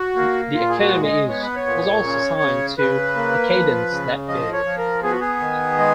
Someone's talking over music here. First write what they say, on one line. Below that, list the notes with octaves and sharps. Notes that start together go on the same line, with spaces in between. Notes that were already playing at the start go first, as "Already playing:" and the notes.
The Academy Is... was also signed to Decaydance that year.
Already playing: F#4
A#3
A#2 F4
G#4
F#4
G#3
D#5
B3 C#5
B4
C#5
A#2
C#3
C#3
C#3 B4
A#3
F3
C#3
F3 D#5
C#5
F3
A#4
B3 G#4
F#4
G#4
D#3
G#3